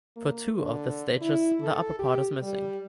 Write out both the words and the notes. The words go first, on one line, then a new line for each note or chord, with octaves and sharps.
For two of the statues the upper part is missing.
A#3
D3
E4
A4
G4
G3